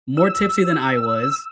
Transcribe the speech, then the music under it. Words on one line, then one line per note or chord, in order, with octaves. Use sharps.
more tipsy than I was,
E6